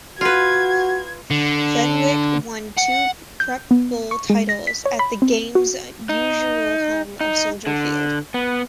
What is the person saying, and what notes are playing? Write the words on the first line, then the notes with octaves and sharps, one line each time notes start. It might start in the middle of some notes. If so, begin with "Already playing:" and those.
Fenwick won two Prep Bowl titles at the game's usual home of Soldier Field.
F4 F#4 B4 G#6
D3
F#5
G6
B3
C#6
G#3
A#6
B6
C#5
B5
C4
F#4
D#4
D#4
D3
B3